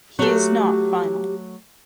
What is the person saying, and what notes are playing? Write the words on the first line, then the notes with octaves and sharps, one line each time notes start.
He is not final.
F#3 A3 G4